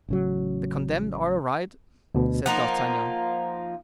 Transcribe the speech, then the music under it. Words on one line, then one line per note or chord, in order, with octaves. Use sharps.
"The condemned are arrived," said D'Artagnan.
A1 C#3 F#3
D2 B2
F3 A#3 D#4 F#5 A#5